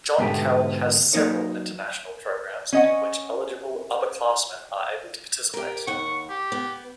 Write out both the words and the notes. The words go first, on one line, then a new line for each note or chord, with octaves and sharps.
John Carroll has several international programs in which eligible upperclassman are able to participate.
G#2 B2 D3 A3 B3 G4
F#3 A#3 D#4 A#4 C#5
C#4 D#5 F#5
G4 A#4
D#2 F#5 C#6
G4
B3